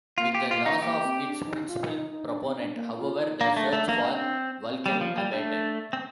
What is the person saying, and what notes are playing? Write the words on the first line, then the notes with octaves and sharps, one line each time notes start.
With the loss of its principal proponent, however, the search for Vulcan abated.
A#3 F4
G4
F4
D#4
A#3 G4
C4
D4
D#4
F4
D#4
D#4
D4
C4
D4
A#3
F4
D#4
A#3 D4
A3
A3
A#3
C4
C4
G3 A#3
F3
A#3
G3
A3 D4
C4